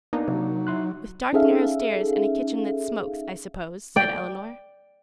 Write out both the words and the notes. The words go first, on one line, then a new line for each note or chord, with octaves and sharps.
"With dark narrow stairs and a kitchen that smokes, I suppose," said Elinor.
A#3 B3 D4 D#4
C3 F#3
E4 C6 F#6
C#4 D#4 G#4 A4 E5 F5
D5 G5